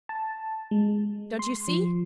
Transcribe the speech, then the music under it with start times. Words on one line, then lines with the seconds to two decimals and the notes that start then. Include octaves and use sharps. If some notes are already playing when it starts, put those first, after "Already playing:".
'Don't you see?
0.09 A5
0.71 G#3
1.39 C6
1.68 F3